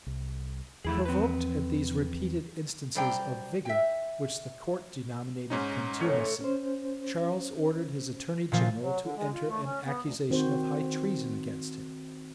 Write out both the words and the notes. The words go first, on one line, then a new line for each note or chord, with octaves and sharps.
Provoked at these repeated instances of vigor, which the court denominated contumacy, Charles ordered his attorney-general to enter an accusation of high treason against him.
C2
E2 F3 A3 E4 G#4
C4 B4
F#2 G3 C5 D5 G5 A#5
E5 G5
G#2 C#4 D#4
A2 A4 C#5
C#4 C5
A#2 F3
F#3
D3
G#3
F4
A3
C#4
B3
D2
D#3 C4 F#4 C5